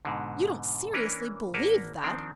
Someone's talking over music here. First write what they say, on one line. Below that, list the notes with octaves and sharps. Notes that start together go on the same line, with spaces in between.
"You don't seriously believe that?"
G#2 B2 D3
E3 A#3 C#4 D4 A#4 B4
G#1 A#3 A#4 B4 F#5 A5
D#3 F3 C4 D4